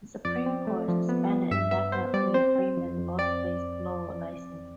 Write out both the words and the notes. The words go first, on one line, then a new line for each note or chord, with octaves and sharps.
The Supreme Court suspended indefinitely Freeman Bosley's law license.
F2 D5
C4
A3
F3
B3
B3
G2 E5
B3 E5
B3 C5
G3 D5
C4 C5
C4
F2
F2
C4 D5